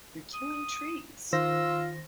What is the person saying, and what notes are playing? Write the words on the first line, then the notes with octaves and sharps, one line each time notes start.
You're killing trees!
D#6
D#3 F4 C5 E6 A#6